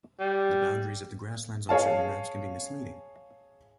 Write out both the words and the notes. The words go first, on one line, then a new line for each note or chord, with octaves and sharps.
The boundaries of the grasslands on certain maps can be misleading.
G3
G#4 C#5 F5 A5